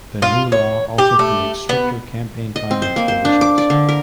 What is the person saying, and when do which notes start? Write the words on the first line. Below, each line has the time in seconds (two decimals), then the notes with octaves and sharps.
The new law also created stricter campaign finance provisions.
0.22 F4
0.52 C#5
0.98 G4
1.19 A3
1.69 B3
2.56 D#5
2.71 C4
2.82 C5
2.96 A#3
3.08 C5
3.25 D4
3.41 D6
3.58 D5
3.70 D3
3.89 A#4